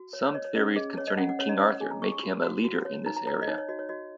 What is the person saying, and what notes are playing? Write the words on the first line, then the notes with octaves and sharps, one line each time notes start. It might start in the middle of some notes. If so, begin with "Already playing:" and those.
Some theories concerning King Arthur make him a leader in this area.
Already playing: F#4
C#5
C#5
C#5 D#5
C#5
C#4 D#5
G#4 D#5
C#5
D#5
C#4 F#5
F#5
C#5
D#5
C#5
D#5
G#4 G#5
A#5
G#4 C#6
C#6
F#4
F#4
F#4
C#5
D#4 A#5
A#5
C#5 A#5
D#5
D#4 C#5
C#5
F#4 D#5
C#5
F#4 D#5